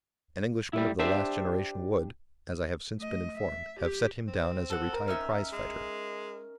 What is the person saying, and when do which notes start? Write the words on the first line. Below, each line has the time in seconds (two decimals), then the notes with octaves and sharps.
An Englishman of the last generation would, as I have since been informed, have set him down as a retired prize-fighter.
0.73 G3 A3 E4
0.99 D4 G4 C5 E5
2.98 A3 D#5
3.36 E5
3.80 G4
4.28 C4
4.70 A4 F#5
4.93 A#4
5.08 C#4 D#4 E5
5.52 G#3